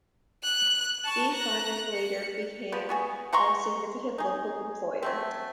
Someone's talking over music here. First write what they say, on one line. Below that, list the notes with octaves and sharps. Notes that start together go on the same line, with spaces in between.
Beef farming later became a significant local employer.
F#6
A5 C#6
A#5 F#6
C#7
F3 B3
B3 F#4 G#4
F#5 A#5 C6 C#6
D#4 G#4
F#3 A3 C4